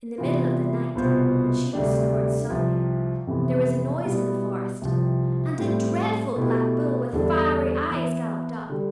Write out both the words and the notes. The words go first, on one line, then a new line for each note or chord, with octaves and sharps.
In the middle of the night, when she was snoring soundly, there was a noise in the forest, and a dreadful black bull with fiery eyes galloped up.
C3 E3 B3 F4
C2 B2 B3 F4 C5
D2 C3 G3 D4 G4
C2 C3 F3
F2 C3 E3 B3
B2 G3 B3 E4
C2 C3 F3
A2 G3 C4
B2 A3 E4 G4
E2 D3 G3 D4 A4
E3 B3 E4
D3 G3